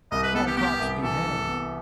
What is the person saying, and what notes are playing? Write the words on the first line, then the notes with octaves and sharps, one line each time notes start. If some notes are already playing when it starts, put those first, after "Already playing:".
Small cops be hanged!
C2 D#5
B4
B3 A4
G4
B3 G4
C2
E3 A4
E3
B3